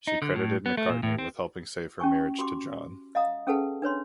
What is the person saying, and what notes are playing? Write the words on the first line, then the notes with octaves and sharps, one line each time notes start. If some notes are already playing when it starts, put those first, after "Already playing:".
She credited McCartney with helping save her marriage to John.
D#4
D3
A2
B3
A3
A#2
A2
C4
C#4 G4 G#5 C#6
F#4 G4 C6 D6
D#5 F5 F#5 A#5 D#6
C#4 G#4 A4 B4 F#5 A5
D4 B4 C#5 C6